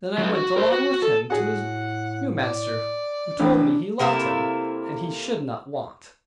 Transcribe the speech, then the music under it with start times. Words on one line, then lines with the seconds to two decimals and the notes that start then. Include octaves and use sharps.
Then I went along with him to his new master who told me he loved him, and he should not want.
0.18 F#3 D#4
0.35 F#4
0.56 A#4 C5
0.72 F#4
1.02 A4
1.30 A2 F#4 G#4 F#5
2.43 D5
3.40 A1 A2 E3 D4 G4
3.99 C3 A#3 E4 A4